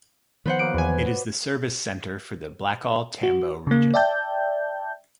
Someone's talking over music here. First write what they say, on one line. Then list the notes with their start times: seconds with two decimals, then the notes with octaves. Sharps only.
It is the service centre for the Blackall-Tambo Region.
0.46 D#3 F3 B3 B4 C5 F#5
0.59 F#3 A#3 D#6 D7
0.74 E2 B4 G#5
3.23 F#4
3.67 C#3 A#3
3.94 D5 E5 G5 A5 G6